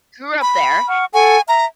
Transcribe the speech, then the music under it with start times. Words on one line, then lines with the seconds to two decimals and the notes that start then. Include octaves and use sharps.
grew up there,
0.42 B5
0.87 F#5 C#6 F6
1.14 A4 F#5 G#5 C#6
1.48 E5 A#5